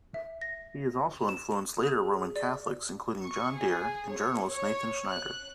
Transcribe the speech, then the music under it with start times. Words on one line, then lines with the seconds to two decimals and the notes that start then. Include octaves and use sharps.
He has also influenced later Roman Catholics, including John Dear and journalist Nathan Schneider.
0.14 E5
0.41 A#6
1.29 E7
1.83 G#4
2.36 D5
3.24 C#6
3.55 G#4
4.11 C#5
4.48 C#5
5.09 F#6